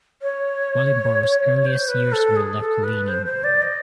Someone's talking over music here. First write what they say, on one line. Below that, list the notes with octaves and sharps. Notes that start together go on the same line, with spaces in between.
Wellingborough's earliest years were left-leaning.
C#5
C5
B4
A4
G#4
A4
B4
C5
C5
D5
D#5